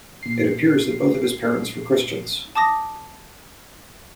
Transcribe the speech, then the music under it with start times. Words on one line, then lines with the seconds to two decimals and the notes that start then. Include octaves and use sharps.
It appears that both of his parents were Christians.
0.23 A#2 C7
2.55 A5 D6 D#6 A#6